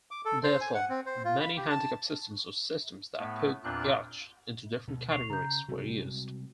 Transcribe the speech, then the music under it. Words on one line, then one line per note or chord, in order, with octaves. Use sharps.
Therefore, many handicap systems or systems that put yachts into different categories were used.
D6
A4
C5
G#5
F#5
C4
C5
F4
B5
G4
A5
A2 A3 B3
E2 A#2 C4 D4 F4 F#6
D2 B2
C#6 C7 F7
C#3 A#5 G6
C3 G3 G#3 F#4